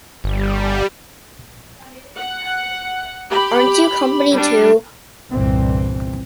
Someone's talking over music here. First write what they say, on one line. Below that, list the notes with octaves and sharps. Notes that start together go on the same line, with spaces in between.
Aren't you company too?
G1 G3
F#5
G4 B5
G3 D4
G1 C2 A#2 E3 C4